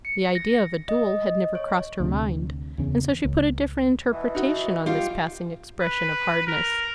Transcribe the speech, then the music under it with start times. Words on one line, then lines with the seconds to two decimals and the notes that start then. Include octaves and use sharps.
The idea of a duel had never crossed her mind, and so she put a different interpretation on this passing expression of hardness.
0.05 C#7
0.35 A#6
0.89 D#5
1.55 C#5
2.00 D2 C3
2.78 E2 C#3
3.25 C#2
4.11 B2 E3
4.35 D#4 F#4
4.86 G3 F4
5.81 B4
6.47 A#4